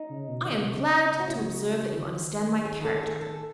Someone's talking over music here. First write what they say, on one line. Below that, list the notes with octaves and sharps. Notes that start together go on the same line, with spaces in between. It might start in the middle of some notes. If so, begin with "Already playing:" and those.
'I am glad to observe that you understand my character.
Already playing: D#4
C#3
B2
D#3
C#3
B2
C#3
F#4
E4
F#4
D#3
C#3
D#3
G#4
A4
G#4
A4